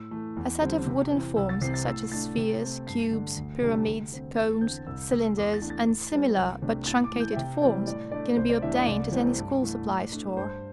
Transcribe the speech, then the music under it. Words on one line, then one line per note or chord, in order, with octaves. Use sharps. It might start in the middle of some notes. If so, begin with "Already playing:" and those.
A set of wooden forms, such as spheres, cubes, pyramids, cones, cylinders, and similar, but truncated, forms, can be obtained at any school supply store.
Already playing: A2 E6
E3 A3
E2
D3 G3 C4
C3
E3 C4
C2 E6
A6
C3 E3 C4 C7
A6
A2 E6
A3 D4 A6
C3
A3 C4
G2 C7
D3 A3 D4
D2
C3 G3 D4
D2
D3 C4
E2 A6
D3 C4 G6
C2 E6
C3 A3 E6
E2 D6
A6
E3 A3 D4
A6
A2
G3 C4
C2
C3 A3 D4
A2 A6
D6
E3 A3
G6
E5
C3 G5
E3 G3 C4 D5
A2 D5
A3 D4 D5
C2 C5
D5
C3 E3 A3 D4 E5
D5
C2 D5
C3 E3 A3 C4
G2
E3 A3
A2
A3 D4
G2 C5